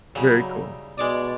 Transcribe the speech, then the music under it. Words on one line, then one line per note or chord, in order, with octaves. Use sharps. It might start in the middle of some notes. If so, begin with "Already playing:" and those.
Very cool.
C#3 F#3 G3 D#4 E4
B2 G#3 D5 D6 D#6